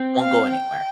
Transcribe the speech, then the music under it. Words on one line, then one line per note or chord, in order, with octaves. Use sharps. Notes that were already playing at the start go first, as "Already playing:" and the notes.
won't go anywhere,
Already playing: C4
F5
G5